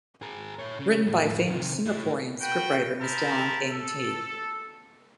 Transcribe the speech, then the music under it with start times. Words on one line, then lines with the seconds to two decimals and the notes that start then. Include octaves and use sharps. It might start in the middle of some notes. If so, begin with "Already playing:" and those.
Written by famed Singaporean scriptwriter Mr. Ang Eng Tee.
0.22 G#4 A#4
0.59 A4 C#5
0.79 C#3 C#4
1.07 F2 A2
1.46 C3 D#3
1.86 A3 E4
2.41 F#4 B4 G5
3.01 C4 D#4 A#4 A5 B5
3.71 A4